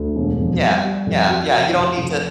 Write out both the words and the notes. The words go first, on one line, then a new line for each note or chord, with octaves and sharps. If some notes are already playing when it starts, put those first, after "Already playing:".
Yeah. Yeah, yeah. You don't need to
Already playing: D2
E1
F2
G3
G3
F2
F#3
F1
F1
F1